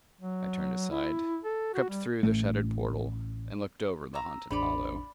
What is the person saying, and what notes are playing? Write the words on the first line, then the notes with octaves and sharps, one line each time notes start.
I turned aside, crept through the shattered portal and looked over the haunted hollow.
F#3
E4
A4
F#4
G3
A1 A2 A3
A#5 E6
A1 E2 D4 D5 B5